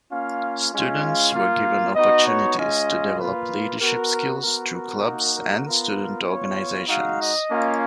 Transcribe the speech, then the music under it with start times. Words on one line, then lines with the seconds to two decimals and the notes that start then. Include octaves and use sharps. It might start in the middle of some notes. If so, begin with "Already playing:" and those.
Students were given opportunities to develop leadership skills through clubs and student organizations.
0.11 A#3 C#4 F4 F5
0.72 G#3 C#4 F4
1.04 F5
1.34 A#3 F4
1.95 B3 D#4 F#4 D#5
2.27 C#5
2.57 G#3 C#4 F4 D#5
3.18 A#3 F4 B4
3.80 B3 F#4 A#4
4.41 B3 F#4 A#4
4.73 A#4
5.03 A#3 D#4 F#4
5.33 A#4
5.65 B3 F4 A#4
6.26 B3 F4 C#5
6.88 G#3 D#4 F#4 F5
7.19 D#5
7.50 A#3 C#4 F4